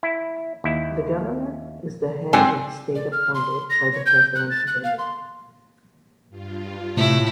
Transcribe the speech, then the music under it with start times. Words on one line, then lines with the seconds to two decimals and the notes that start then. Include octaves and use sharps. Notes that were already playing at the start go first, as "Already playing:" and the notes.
The Governor is the head of state appointed by the President of India.
0.03 E4
0.64 D#2 E4
2.33 G#2 D3 F#3 C4 D5 G#5
2.95 D5
3.12 F6
3.34 C6
3.70 A#6
3.93 C#5
4.06 G6
4.35 F#6
4.50 A6
4.67 F#6
4.83 F5
4.98 C6
6.29 G2 F4
6.97 A2 C3 A3 E4